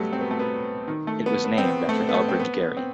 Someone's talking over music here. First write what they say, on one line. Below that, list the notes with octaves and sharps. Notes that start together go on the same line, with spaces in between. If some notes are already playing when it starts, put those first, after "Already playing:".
It was named after Elbridge Gerry.
Already playing: F#3 G3 A3 B3
C4
B3
A3
B3
D#3
A3
B3
B3
C4
B3
A3
B3
A3
C4
B3
C4